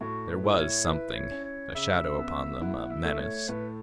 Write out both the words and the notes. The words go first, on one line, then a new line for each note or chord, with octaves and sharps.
There WAS something--a shadow upon them, a menace.
A2 F#4
B4
E4
C#5
E4 B4
C#5
C#4
C#5
C#3 E5
B3 E5
E4 F#5
E5
A3
C#5
A2 B4